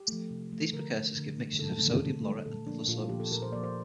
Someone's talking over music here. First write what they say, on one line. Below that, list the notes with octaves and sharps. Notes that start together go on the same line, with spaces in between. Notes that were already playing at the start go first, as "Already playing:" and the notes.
These precursors give mixtures of sodium laurate and other soaps.
Already playing: G4
F3 A3
C3
F3 A3
D3 A#4
A3
D3
A3
D3 A4
A3
D3
A3
A#2 A4
F3 A#3 D4
A#2 F4
F4
F3 A#3 G4
A4
A#2 A#4
C5
F3 A#3 D5
C5